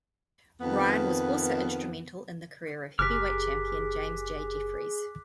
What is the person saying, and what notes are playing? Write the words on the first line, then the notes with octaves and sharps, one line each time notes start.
Ryan was also instrumental in the career of heavyweight champion James J. Jeffries.
F2 D#3 B3
F#1 G4 G#4 A#4 D6 F6 F#6 B6